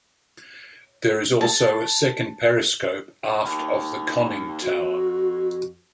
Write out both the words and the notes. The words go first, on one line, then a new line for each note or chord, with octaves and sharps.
There is also a second periscope aft of the conning tower.
A5
D#2
F2 F#4